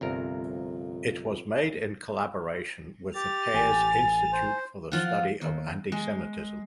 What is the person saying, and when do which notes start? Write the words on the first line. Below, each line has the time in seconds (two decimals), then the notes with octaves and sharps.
It was made in collaboration with the Pears Institute for the study of Antisemitism.
0.01 G1 C2 F2 A#4
3.15 G4 A6 F7
3.54 A1 G#5
4.33 C5
4.92 F3 F4 F#5
5.41 D#2
5.92 G#3